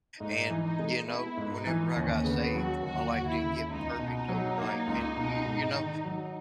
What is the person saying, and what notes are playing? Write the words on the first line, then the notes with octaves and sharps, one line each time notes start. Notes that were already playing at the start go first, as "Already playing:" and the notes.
and, you know, whenever I got saved, my life didn't get perfect overnight and, you you know,
G#2 D#4
E3
D#4
G#3
B3 E4
G#2
D#4
E3
D#2 C#4
C#3 B3
F#3 F#4
D#2 F#4
D#2
E4
C#3
C#2 D#4
B2
D#4
F#3
A#3
C#2
B2
G#2
D#3
F#3